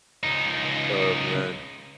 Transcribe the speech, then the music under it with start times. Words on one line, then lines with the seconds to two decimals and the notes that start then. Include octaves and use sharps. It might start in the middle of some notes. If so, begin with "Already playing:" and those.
Oh, man.
0.24 C#2 D#4